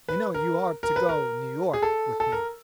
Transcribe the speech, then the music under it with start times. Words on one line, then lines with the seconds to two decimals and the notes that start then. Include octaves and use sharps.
"You know you are to go New York with me?"
0.08 B4
0.34 A#4
0.83 A#4
0.96 B4
1.09 A#4
1.73 G#4
1.82 A4
2.20 A4
2.32 A#4